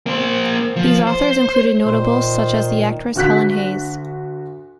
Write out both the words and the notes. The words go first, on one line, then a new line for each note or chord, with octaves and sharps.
These authors included notables such as the actress Helen Hayes.
A#3 C5
F3
C5
A#2 D#3 C5
D2 F#4 F#6 B6